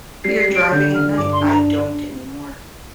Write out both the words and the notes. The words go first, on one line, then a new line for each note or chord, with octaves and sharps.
Fear driving at night. I don't anymore.
G3 C7
C7
G3
D7
D3 G6
D3 F6
G2 D6
C6
D4
A#5